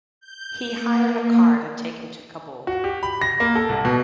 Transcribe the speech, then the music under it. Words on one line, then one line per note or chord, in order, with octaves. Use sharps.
He hired a car to take him to Kabul.
G6
A#3
F#4
G4
B5
A#6
A#3
A4
C2
B2